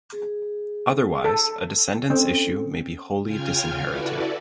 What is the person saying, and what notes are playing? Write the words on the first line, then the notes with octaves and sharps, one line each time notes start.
Otherwise, a decedent's issue may be wholly disinherited.
G#4
A4
C4 C#4 A4
C#3 F4 G5 G#5 F6 G#6
E4 F#4 A4 B4 D5